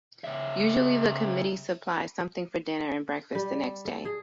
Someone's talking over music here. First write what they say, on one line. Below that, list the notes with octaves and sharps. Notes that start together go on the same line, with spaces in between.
Usually the committee supplies something for dinner and breakfast the next day.
C#3 E5
G3
A4
G#4